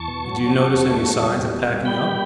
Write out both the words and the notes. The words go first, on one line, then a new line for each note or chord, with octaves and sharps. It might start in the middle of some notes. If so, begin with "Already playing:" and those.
'Did you notice any signs of packing up?'
Already playing: E2 A5 C#6
B2
F#3
F#3
F#3
E2
A3
F#3
G3
E2
B2
G3
G3 G5 B5
G3